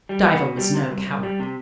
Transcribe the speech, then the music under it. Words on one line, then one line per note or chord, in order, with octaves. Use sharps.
Diva was no coward.
G3
B3
B2
G3
C3
C2
C2
G3
C3